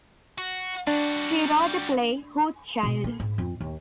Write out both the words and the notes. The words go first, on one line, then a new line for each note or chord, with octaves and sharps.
She wrote a play Whose Child?
F#4
G3 D4 F#4
B2
A#3
G#2
F2
D#2